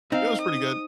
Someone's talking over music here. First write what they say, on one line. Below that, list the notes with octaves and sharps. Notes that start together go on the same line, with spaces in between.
it was pretty good.
C4 D#4 F5
D#6